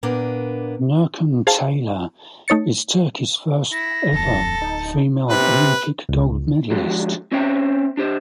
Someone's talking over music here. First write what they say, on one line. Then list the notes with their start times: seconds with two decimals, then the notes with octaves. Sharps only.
Nurcan Taylan is Turkey's first ever female Olympic gold medalist.
0.03 A#2 A#3 B3 D4
1.47 G#4 C5 F5 A5
2.48 A3 D#4 C#5 A6 C#7
3.72 E4 A#6
4.12 D1 F2 A4
4.62 D#4
5.30 C3 B4
6.09 C#2
6.70 D3 F3 G#3 F#4 G4
7.32 C4 C#4 C5 C#5 E5 G5
7.97 D4 G4 C5